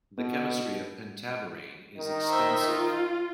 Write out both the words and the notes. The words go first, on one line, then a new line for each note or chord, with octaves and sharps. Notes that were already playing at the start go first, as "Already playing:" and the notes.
The chemistry of pentaborane is extensive.
B2 B3
D#3
C5 E5
F4